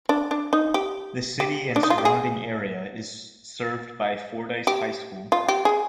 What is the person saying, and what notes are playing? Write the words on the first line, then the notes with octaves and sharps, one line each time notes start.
The city and surrounding area is served by Fordyce High School.
D4
D4
D#4
G4
G4
D4
D#4
F4
G4
G#4
G4
F4
G4
G#4